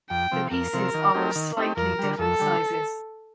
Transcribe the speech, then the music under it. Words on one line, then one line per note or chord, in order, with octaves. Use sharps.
The pieces are of slightly different sizes.
F2 G5
C3 F3 C4
F2 A#4
C3 F3 C4
D#3
A3 C4 D#4 G4
D#3
A3 C4 D#4 G4
F2 A#4
D3 G3
F2 A4
D3 G3